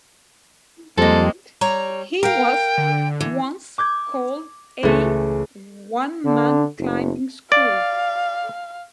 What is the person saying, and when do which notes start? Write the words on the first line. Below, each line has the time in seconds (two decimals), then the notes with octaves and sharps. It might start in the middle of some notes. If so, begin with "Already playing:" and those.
He was once called A one man climbing school.
0.98 F2 G3 G#3 A#3 C4 A4 D#5
1.61 G3 C#5 A#5
2.23 A#4 F5 G5
2.78 D3
3.21 E3
3.78 D6 G6 G#6
4.83 C#2 E3 A3
6.25 D3
6.78 F#1
7.52 D5 F5